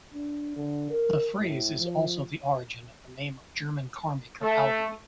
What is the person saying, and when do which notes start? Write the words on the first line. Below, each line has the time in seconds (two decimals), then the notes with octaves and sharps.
The phrase is also the origin of the name of German carmaker Audi.
0.14 D4
0.56 D3
0.90 A#4
1.39 A2
1.78 F3
4.43 A3